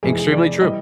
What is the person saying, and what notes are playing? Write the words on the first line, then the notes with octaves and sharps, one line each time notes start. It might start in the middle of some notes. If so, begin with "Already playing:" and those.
Extremely true.
F1 F2 C3 E3 G#4
G#4
D5
E3 G3 D#5